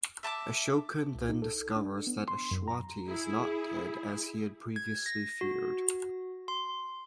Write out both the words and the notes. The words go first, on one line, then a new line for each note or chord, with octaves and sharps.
Ashokan then discovers that Ashwati is not dead as he had previously feared.
E5 A5 A#5 D6
C2
D#4
A4
D4
B3
C6
F#2
A#5
E4 G#4
G#6
A#6
F#4
C6